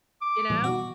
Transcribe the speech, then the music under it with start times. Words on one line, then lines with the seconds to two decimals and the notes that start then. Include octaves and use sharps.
You know?
0.21 D6
0.50 A#2 E3 G3
0.64 B2 F#4